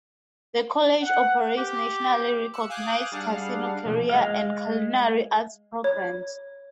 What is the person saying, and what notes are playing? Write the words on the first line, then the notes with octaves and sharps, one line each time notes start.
The college operates nationally recognized casino career and culinary arts programs.
F#5
G4
E6 F#6 C#7
F5 G#5 D6 D#6 F#6 G6
G3 D4 G#4 F5 F#5
B2 F3 A#3
G#3 F5
C#5